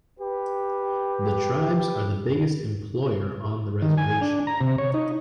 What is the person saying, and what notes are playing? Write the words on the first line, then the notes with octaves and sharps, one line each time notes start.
The tribes are the biggest employer on the reservation.
G4 B4
D#3
G#5
D4
A#5
C3
C#5
D#4